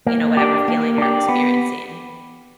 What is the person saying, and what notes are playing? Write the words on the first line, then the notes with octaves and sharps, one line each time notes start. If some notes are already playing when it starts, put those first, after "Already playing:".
you know, whatever feeling you're experiencing?
A#3
D4 G4
A#3
D4 G4
B3